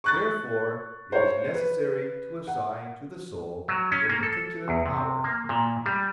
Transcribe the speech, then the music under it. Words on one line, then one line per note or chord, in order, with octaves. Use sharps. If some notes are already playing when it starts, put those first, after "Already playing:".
Therefore it is necessary to assign to the soul a particular power.
C#6 F#6 A6
C5 C#5
B4
F#5
F#3
C#4
A#3
A4
E2
C3
A#3
A#2
G3